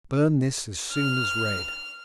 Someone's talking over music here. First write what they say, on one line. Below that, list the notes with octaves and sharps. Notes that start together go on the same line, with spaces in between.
Burn this as soon as read.
F6